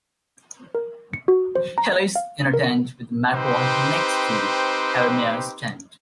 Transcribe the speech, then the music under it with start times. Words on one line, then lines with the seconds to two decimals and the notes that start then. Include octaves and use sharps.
He lives in a tent with McWatt next to Havermeyer's tent.
0.75 A#4
1.13 C#7
1.28 F#4
1.55 C5
1.78 A#5
2.16 F5
2.54 A#4
3.33 C4 D#4 G4 B4 C5